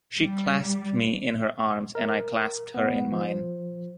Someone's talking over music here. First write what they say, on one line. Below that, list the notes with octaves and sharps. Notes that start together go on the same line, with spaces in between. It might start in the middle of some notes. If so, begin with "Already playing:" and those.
She clasped me in her arms, and I clasped her in mine.
G3
A#4
B3
F3